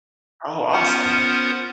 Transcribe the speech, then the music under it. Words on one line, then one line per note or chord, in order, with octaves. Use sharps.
Oh, awesome.
B3 C#4 F4 A#4 C5 F#5